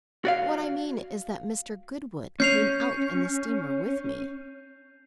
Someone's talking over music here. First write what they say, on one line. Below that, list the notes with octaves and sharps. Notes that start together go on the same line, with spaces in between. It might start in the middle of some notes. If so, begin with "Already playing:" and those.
"What I mean is that Mr. Goodwood came out in the steamer with me."
F#4 D5 F5
C#4 G6 C7 F7